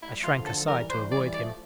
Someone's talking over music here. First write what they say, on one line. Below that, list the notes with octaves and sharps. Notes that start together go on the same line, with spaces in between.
I shrank aside to avoid him.
A3 E4
G3
F3 A3
F4
D3 F3
A4
E3 G3
A#4
E3 G3 C5
E3 G3 D5
F3 A3 D5